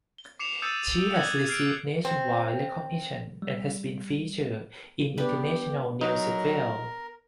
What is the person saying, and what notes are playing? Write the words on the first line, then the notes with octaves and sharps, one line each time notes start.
She has received nationwide recognition and has been featured in international news as well.
G7
D6 C7 C#7 E7 F7
D#6 E6 G6 A6 C#7 D#7
F#6 G#6 C#7 F#7
F6 C7 D7
C4
G3
G3 B3 D4 G4 B5
F#3 D#4 A#4